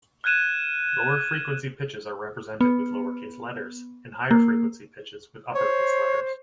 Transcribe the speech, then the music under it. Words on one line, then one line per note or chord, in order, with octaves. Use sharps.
Lower-frequency pitches are represented with lowercase letters and higher-frequency pitches with uppercase letters.
F6 F#6 G#6 D#7 E7
B3
A#3
C5 C#5